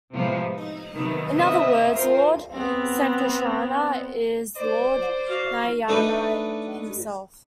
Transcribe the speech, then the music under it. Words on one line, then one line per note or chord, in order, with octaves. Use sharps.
In other words, Lord Sankarshana is Lord Narayana himself.
A2 C3 F3 G#3 B3
D#4
C3 D#3 F#3 B3
C3 B3 C4 D#5 E5
F4 A#4 C5
B3 C4
C5 D5
F#4 F5
A3 D4 D#4 B4